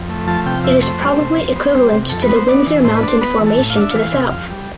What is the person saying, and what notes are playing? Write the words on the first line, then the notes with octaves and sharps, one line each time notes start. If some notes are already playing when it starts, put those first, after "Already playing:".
It is probably equivalent to the Windsor Mountain Formation to the south.
Already playing: F2
A3
F3 A5
C3 G5
F2 E5
A3 C5
G3
C3
F2
B3
G3
C3
F2 A4
B4
B3
C5
B3 D5
E3
A2 C5
B4
D4 C5
B3 B4
E3
A4
A2
F5
D4 E5
E3 F5
C3
F2
G3